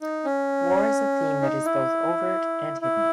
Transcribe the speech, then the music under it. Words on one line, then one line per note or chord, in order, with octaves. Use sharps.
War is a theme that is both overt and hidden.
D#4
C#4
D#4
E4
E4